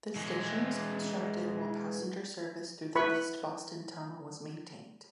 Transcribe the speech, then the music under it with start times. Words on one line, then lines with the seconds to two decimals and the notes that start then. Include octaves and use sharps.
The station was constructed while passenger service through the East Boston Tunnel was maintained.
0.16 E3 G#3
2.95 E4 B4 B5 C#6